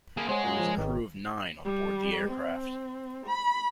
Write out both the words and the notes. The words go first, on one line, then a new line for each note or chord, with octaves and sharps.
There was a crew of nine on board the aircraft.
A#3 G#4
G#3 G#4 C5 C#5 F#5
A#2 C#3 F#5
F3
G#1 C#2 D#3
G3
C4
B5